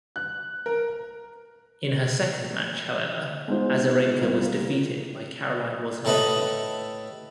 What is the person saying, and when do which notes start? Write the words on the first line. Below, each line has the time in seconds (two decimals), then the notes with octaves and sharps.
In her second match, however, Azarenka was defeated by Caroline Wozniacki.
0.16 F#6
0.66 A#4
3.48 G#3 B3 D#4 F4 C5
4.21 C2 F4
6.05 A2 E4 A4 B4 D#5 B5